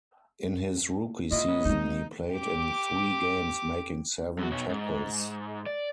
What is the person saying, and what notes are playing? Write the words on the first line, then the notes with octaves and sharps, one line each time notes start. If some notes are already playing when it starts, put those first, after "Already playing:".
In his rookie season, he played in three games making seven tackles.
G#2 A#3 E4 F4 D#5
A#2 B3 C#4
G#3 C4 D#4
G4 D6
F#2 F#4
B2 C#5
G#2
D5